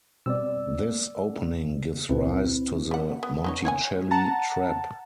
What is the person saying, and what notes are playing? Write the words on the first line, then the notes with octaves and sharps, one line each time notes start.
This opening gives rise to the Monticelli Trap.
B2 G3 C4 D5 E6
C#2 A#2 C4 E4 B4
G3 F#5
B3
B3 D#4 C#5
C#5 F#5 G#5
F#5 A5 A#5 A6